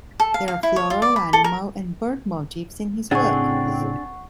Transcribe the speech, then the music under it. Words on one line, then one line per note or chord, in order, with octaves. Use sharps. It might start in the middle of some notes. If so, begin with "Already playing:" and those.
There are floral, animal, and bird motifs in his works.
A4
F5
F5
E4
C#5
F4
D5
B5
A4
A#4
A2 C#3 C4 D4 G#4 F#5 C#6